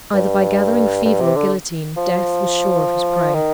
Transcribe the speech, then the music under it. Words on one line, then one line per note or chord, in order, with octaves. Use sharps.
Either by gathering fever or guillotine, death was sure of his prey.
G2
G2
C3
D3
F3
D#3